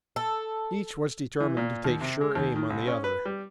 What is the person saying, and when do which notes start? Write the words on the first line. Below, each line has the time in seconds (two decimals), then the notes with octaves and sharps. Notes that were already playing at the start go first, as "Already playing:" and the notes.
Each was determined to take sure aim on the other.
0.16 A4
1.40 E3
1.57 A#2
1.85 D#2
2.01 C3
2.21 G#3
2.35 D#2
2.56 D#3
2.70 C2
2.87 C#4
3.04 B4
3.25 G3